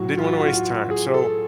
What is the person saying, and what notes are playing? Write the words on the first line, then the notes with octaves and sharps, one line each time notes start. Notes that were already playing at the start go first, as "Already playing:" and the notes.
Didn't want to waste time. So
Already playing: A2 F#3 F#4
F4
F#4
F4
F#4
F4
F#4
G#4
A4